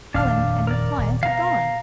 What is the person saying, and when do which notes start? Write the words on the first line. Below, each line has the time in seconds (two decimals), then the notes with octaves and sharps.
Helen and her clients had gone.
0.14 D#1 F2 D4 F5 F6
0.67 A#4 D5
0.98 D#1
1.23 B2 F5 A#5